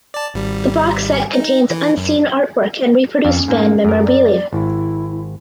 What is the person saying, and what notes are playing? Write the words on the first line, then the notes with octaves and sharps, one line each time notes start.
The box set contains unseen artwork and reproduced band memorabilia.
D5 A5
G#1 G3
D#4
E3
F#2
F2 C#4 F5
G#2 A#3
F#2 A#4
D5
G#1 E4